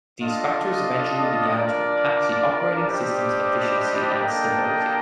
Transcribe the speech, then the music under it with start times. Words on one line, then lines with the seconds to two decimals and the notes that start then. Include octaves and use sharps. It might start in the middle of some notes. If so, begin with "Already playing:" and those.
These factors eventually began to impact the operating system's efficiency and stability.
0.20 D4 F4 A4 D#5
1.53 D4 F4 A#4 D5
2.87 G3 D4 G4 C5 D#5
4.19 A#3 D4 A4 D#5 G5